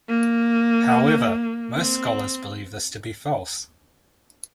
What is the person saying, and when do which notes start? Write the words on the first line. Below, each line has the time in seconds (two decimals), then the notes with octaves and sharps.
However, most scholars believe this to be false.
0.08 A#3
1.75 C4